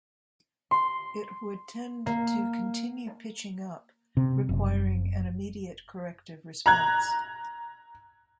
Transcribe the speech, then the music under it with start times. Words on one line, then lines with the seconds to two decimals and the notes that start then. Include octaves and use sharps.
It would tend to continue pitching up, requiring an immediate corrective response.
0.71 C6
2.06 A#3
4.17 C3
4.49 F#1
6.66 A#5 F#6 G#6